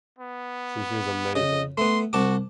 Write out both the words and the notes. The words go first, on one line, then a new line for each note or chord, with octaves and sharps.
Sushi is amazing,
B3
C#3 D#5
A3 B3 C6
C2 F#4 A5 D6